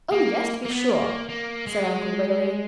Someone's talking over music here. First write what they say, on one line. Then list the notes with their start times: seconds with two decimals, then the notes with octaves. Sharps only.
"Oh, yes, to be sure," said Uncle Wiggily.
0.12 A#3
0.66 A#3
0.70 B3
0.90 A#3
1.29 A#3
1.67 G#3